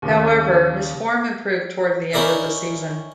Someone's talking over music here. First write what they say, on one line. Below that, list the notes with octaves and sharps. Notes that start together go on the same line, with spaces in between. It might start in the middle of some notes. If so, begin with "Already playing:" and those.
However, his form improved toward the end of the season.
D#2 C#3
C#4 D#4 E4 A#4 D5 E5